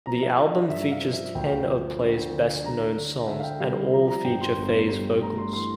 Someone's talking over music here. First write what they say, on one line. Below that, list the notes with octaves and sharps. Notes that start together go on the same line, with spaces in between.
The album features ten of Play's best-known songs, and all feature Faye's vocals.
F3 A#5
E5
D4 D5
D5
G2 E5
F5
F3
E5
D2 G5
F3
D3
D3
D3 A#5
D3
D3 E5
F5
G5
G3 F5
F3 A#5
A#5
G2 G5
C6
G1
G2
A3 A#5
C6
E3 C6